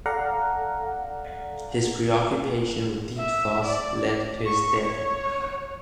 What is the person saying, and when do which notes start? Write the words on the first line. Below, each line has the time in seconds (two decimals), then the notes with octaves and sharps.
His preoccupation with deep thoughts led to his death.
0.06 A4 D5 F5 F#5 A#5
3.17 E5
3.64 D5
4.46 C#6
4.86 C#5